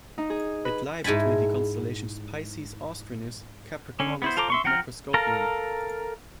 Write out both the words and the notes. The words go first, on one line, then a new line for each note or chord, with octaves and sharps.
It lie between the constellations Piscis Austrinus, Capricornus and Microscopium.
D#4
G#4
B4
G#2 E4 G#5 A5 B5
D3 C#4
B3 E4 C5
F4 A4 C5 A#5 D6
E5 C6 C#6
F3 F#5 G5 A#5 F6
A4 A#4 F5 A#5